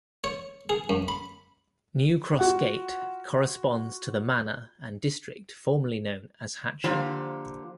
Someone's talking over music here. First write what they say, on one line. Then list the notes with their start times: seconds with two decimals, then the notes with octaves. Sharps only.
New Cross Gate corresponds to the manor and district formerly known as Hatcham.
0.24 C#5
0.69 G#4
0.89 F#2
1.08 B5
2.39 F4 F#4 F#5
6.84 D3 F3 A#3 F4 G4 C5